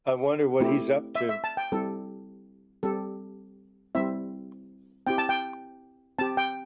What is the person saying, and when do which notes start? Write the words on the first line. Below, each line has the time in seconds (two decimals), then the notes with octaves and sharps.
I wonder what he is up to.
0.60 A3 C4 E4 G4
1.15 E5
1.29 E5
1.44 A5
1.57 G5
1.72 G3 C4 E4 G4 A4
2.83 G3 C4 G4 A4
3.95 G3 C4 E4 E5
5.07 C4 E4 G4 G5
5.18 A5
5.29 G5
6.19 C4 G4 A5
6.37 G5